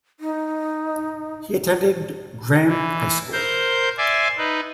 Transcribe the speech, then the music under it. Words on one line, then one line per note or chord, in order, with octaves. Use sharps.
He attended Graeme High School.
D#4
E3
A#4 C5 G6
D5 E5 G#5 C6 D6
D#4 B4